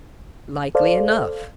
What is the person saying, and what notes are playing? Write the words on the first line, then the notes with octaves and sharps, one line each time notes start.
Likely enough.
A4 C5 D5 F5